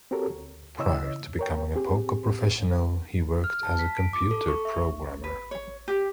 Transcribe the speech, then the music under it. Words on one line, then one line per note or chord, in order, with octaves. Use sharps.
Prior to becoming a poker professional, he worked as a computer programmer.
C4 F#4 G4 A4 A#4 C#5
D2
E2 C#3 E4 C#5 D#5 E6
A#4 C#5 G5
C4 G4 G#4
F6
A5
B6
D7
D6
A4
C#6
E5
B4
C#5
G4